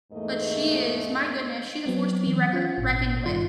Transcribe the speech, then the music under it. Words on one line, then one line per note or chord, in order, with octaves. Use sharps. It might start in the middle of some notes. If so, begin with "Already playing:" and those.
but she is my goodness, she's a force to be reckor reckoned with.
E2 G#2 A3 A#3 D#5
F#3 B3 C4
E3
C#4 F4
G#1 A#2
G2 D#3 F4